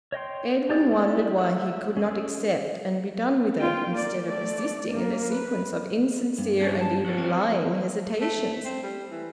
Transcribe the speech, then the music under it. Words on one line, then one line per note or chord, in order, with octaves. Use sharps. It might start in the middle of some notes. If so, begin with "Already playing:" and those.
Edwin wondered why he could not accept and be done with it, instead of persisting in a sequence of insincere and even lying hesitations.
C#5 D#5 G5 C6
D4 G4 G#4 D5
E4 G4 D5
E5 F#5
C#4 G#4 A4
F4 G5
A#3 D5
A3 D5
A#3
B4
G2
C#4 D4 G#4
A5
F#4 A4 C#5
C4
A3
C4
G3
E3